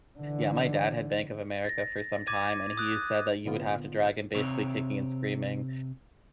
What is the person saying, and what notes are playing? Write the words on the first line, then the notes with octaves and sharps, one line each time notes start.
Yeah, my dad had Bank of America for some time, and he said that you would have to drag him basically kicking and screaming
D3 E3
A6 A#6
D6 G#6 A6 D#7
D#6 F#6
A#2 D3 B3 F4
C3 C4 C#5